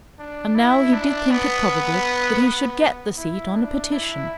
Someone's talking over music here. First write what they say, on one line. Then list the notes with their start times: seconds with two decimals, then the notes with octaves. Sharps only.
And now he did think it probable that he should get the seat on a petition.
0.19 D4
0.55 E4
0.93 D4
1.30 B3
2.43 B3
3.18 E4
3.55 D4
3.92 E4